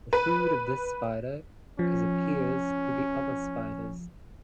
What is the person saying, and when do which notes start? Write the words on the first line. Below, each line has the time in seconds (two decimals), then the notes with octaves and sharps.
The food of this spider is appears to be other spiders.
0.13 B4
1.79 F3 C#4